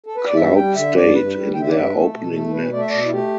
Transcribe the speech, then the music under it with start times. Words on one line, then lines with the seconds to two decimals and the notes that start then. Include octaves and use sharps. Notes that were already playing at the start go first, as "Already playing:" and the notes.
Cloud State in their opening match.
0.06 A4
0.17 B4
0.26 D5
0.36 G2 E5
0.55 G3 G5
0.75 D3 E5
0.95 G2 D5
1.15 G2 B4
1.34 G3
1.54 D3 G5
1.61 E5
1.68 D5
1.73 G2 E5
1.87 B4
1.93 A3 A4
2.13 B2
2.33 A3 A4
2.47 A4
2.52 B2 B4
2.72 A3 D5
2.81 E5
2.89 B2 D5
3.05 E4
3.12 A3 G4